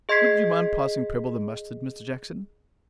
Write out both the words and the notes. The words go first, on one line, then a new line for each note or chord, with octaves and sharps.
Would you mind passing Prebble the mustard, Mr Jackson?'
G#4 D#5 C6 G#6 B6 C7